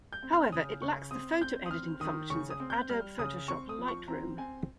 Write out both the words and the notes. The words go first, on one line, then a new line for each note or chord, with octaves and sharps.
However, it lacks the photo editing functions of Adobe Photoshop Lightroom.
G6
C4
F6
C#3 D#6
C#3 C#6
C4 D#6
C4 G6
D#6
C4 F6
D#3 D#6
C#3 C#6
D#6
C4
G6
G3 F6
C#3 D#6
C4 C#6
D#6
F3
C#6
C4 A#5
C4 G#5